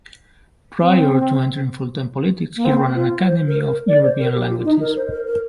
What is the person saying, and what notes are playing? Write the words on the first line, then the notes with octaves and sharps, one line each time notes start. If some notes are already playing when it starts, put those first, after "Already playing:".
Prior to entering full-time politics he ran an academy of European languages.
C4
A#3
C4
F4
C5
A#4
A#4
D5
C5
A#4
G4
F4
D#4
A#4
C5
A#4
A#4